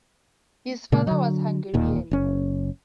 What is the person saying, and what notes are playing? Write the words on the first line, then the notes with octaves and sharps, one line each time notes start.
His father was Hungarian.
A#2 C#3 G#3 A#3
D3 F#3
E1 D#2 A#2 D#3
F#1 C#4